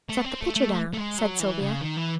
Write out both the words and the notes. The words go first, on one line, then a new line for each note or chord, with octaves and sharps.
"Set the pitcher down," said Sylvia.
A3
C4
A3
A3
A3
G#3
F#3
E3
C#3
D#3
E3